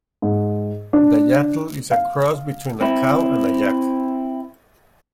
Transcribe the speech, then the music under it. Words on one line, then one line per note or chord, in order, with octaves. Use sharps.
The yattle is a cross between a cow and a yak.
G#2
D4
F5
C4 E4